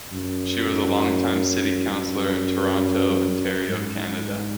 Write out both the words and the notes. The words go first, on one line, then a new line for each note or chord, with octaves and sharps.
She was a longtime city councillor in Toronto, Ontario, Canada.
F#2
F#2
G#2